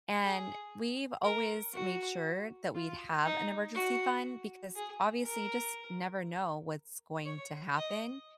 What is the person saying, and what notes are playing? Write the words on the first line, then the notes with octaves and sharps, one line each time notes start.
and we've always made sure that we'd have an emergency fund because, obviously, you just never know what's going to happen.
G#4
A#4
F#4
F4
D#4
F#4
G#4
A#4
C#5
D#5